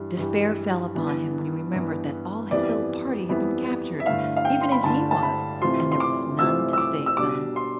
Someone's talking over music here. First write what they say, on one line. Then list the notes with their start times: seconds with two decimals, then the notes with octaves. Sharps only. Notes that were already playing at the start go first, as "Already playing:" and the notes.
Despair fell upon him when he remembered that all his little party had been captured, even as he was, and there was none to save them.
Already playing: G2 E3 G3
0.17 G2 E3 G3
0.95 G2 E3 B3
1.73 G2 E3 B3
2.51 F2 E3 G3 B3 E4 D5
3.29 F2 E3 G3 B3 E4
4.00 E5
4.06 G2 D3 A3 E4 F5
4.36 F5
4.45 G5
4.61 C6
4.72 B5
4.83 G2 D3 A3 E4 A5
5.11 A5
5.23 B5
5.62 C3 E3 A3 C4 F4 C6
5.92 C6
6.00 D6
6.39 C3 E3 A3 C4 F4 E6
6.73 E6
6.78 D6
7.06 E6
7.17 B2 G3 D4 D6
7.56 C6